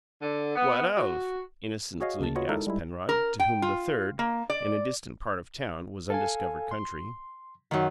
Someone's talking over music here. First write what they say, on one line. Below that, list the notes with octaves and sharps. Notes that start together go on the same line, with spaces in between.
"What of?" innocently asked Penrod, to whom "the Third"--in a distant part of town--was undiscovered country.
D3
B3
F#4
F#4 G#4 C#5 D#5 F5
D2 C#3 A#3 A5
F4 F#4 B4 C#5 D#5 F#5
G#3 D#4 E4 A4 A#4
G3 G#3 E4
A#4
G5
F4
A#3
D5
A4 F5 G#5
C6
F#2 D#3